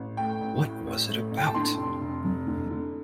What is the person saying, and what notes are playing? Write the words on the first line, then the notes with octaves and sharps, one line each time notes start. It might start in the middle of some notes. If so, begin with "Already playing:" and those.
What was it about?
Already playing: A1
A3 G5
A1
A2
A1
A3
A1
G5
A5
D3 C6
F1
F1
F1
D3
D3